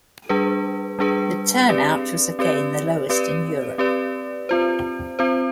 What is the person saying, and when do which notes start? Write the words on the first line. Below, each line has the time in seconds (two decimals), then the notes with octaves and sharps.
The turnout was again the lowest in Europe.
0.29 G3 D4 G#4 B4
0.99 G3 D4 G#4 B4
1.69 C4 G4 B4 D5
2.39 C4 G4 B4 D5
3.09 C4 G4 B4 D5
3.78 C4 G4 B4 D5
4.49 C4 F4 C5
5.19 C4 F4 C5